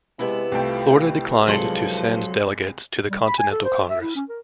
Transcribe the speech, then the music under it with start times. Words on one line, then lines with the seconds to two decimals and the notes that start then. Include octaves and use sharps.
Florida declined to send delegates to the Continental Congress.
0.19 C3 G#3 B3 E4
0.52 C2 A3 F4 G5
1.48 C2 F3 F#3 G#3 A4 C6
3.10 G3
3.26 B5
3.38 G#5
3.52 A4
3.64 C5
3.89 E5
4.02 E4
4.16 C#4
4.29 A#4